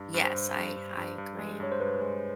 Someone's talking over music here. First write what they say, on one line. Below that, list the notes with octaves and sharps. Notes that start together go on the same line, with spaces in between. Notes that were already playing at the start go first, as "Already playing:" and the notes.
Yes, I I agree.
Already playing: G2
G2
C5
G2
G2
G2
G2
G2
G#3
G2 C#5
C5
G2 B4
G#3